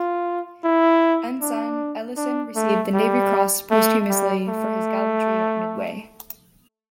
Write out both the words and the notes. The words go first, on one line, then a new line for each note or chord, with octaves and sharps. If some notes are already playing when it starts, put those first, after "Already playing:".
Ensign Ellison received the Navy Cross posthumously for his gallantry at Midway.
Already playing: F4
E4
D4
D4
A3
G3
A3
G3
A3